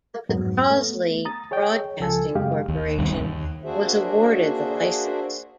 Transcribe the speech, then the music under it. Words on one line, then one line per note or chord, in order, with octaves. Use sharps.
But the Crosley Broadcasting Corporation was awarded the license.
F2 G#2 F#3 B3
A3 B3
A#5 D#6 A6
G#4 C#5 D#5 G5
C#2 F3 A4 G#5
F#2 C#3 G#3 G4 D#5 F5
D#2
C2 G2 D#3
D#2
A#3 D4 F#4 G#4 C5 E5